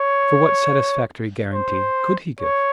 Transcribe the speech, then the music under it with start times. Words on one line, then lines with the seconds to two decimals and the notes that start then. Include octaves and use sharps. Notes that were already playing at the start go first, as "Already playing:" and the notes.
For what satisfactory guarantee could he give?
Already playing: C#5
1.53 C5
2.41 C#5